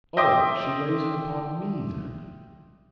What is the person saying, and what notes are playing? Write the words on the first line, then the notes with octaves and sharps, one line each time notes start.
'Oh!--She lays it upon me, then?'
D#5 E5 G5 C6 D6 D#6